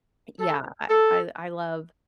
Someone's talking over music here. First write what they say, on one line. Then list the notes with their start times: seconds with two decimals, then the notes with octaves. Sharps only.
yeah, I I I love
0.40 A4
0.89 A4